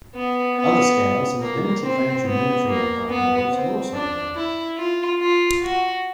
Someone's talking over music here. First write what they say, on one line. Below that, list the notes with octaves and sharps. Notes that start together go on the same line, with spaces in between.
Other scales and a limited range of military aircraft models are also available.
B3
B3
A#3
C4
B3
A#3
B3
C4
D4
E4
F4
F4
F#4